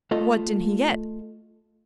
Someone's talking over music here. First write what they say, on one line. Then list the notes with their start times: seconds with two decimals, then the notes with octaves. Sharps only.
"What did he get?"
0.11 A3 F4 A4 D#5